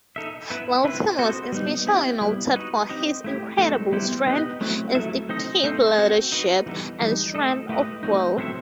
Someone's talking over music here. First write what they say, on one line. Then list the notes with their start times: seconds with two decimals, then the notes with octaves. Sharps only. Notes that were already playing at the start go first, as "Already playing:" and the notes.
Valten was especially noted for his incredible strength, instinctive leadership, and strength of will.
0.16 D#4 A4 E5
0.50 B3 E4 B4 E5
0.84 C4 E4 B4 E5
1.19 C4 F#4 A4 C5 D#5
1.52 G3 B3 D#4
1.87 C4 E4 G4
2.21 G3 B3 E4
2.56 D#4 F#4 B4 D#5
2.89 C4 D#4 G4 D#5
3.24 A3 E4 G4
3.58 F#3 A3 C4 D#4 A4
3.92 G3 B3 E4 G4 C5
4.27 B3 D#4 G4 B4 D#5
4.61 F#3 A3 C4 E4 B4
4.95 F#3 A3 E4 A4 E5
5.29 C4 D#4 A4 D#5
5.64 A3 C4 D#4 A4 C5
5.98 C4 F#4 A4
6.32 D#4 F#4 B4
6.66 E3 G3 B3 D#4 A4
7.01 E3 G3 D#4
7.35 A3 E4 A4 D#5
7.69 A3 E4 G4 B4 D#5
8.03 F#3 A3 C4 D#4
8.38 F#3 C4 E4 A4 E5